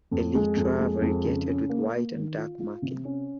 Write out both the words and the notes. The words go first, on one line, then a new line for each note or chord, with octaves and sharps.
Elytra variegated with white and dark markings.
F2
G#3
F2
G#3
F2
C#3
C#4
A#3
A#3
D#3
F4
F4
C3
C#4